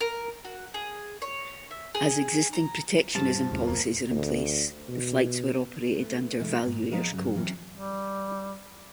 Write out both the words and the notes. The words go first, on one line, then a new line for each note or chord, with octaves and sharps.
As existing protectionism policies are in place, the flights were operated under Valuair's code.
A#4
F#4
G#4
C#5
E5
G#4
A#5
G2 F3 A5
D#2 A2 C#3
D#1 F2 A#3
D2
B2
A3 B3
B2 E3 G#3 A3 D#4
D#2 G#2
F3 B3 G#4 D#5 F5 A#5
G2 C#3 F#3
E3 F#3 C4 C#4
G3